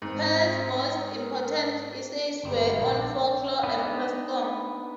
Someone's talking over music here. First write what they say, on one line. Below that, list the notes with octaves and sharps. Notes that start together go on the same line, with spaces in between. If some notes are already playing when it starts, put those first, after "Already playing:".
Perles' most important essays were on folklore and custom.
G#2 C4
A#4
G1 G3 G#3 C4 D#4
A#1 D4 D#4 A#4
B3 D4 D#4 B4